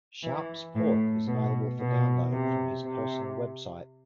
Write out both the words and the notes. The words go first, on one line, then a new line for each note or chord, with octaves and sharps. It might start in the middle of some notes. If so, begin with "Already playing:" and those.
Shoup's port is available for download from his personal website.
E3
A2
B2
B2
C3
C3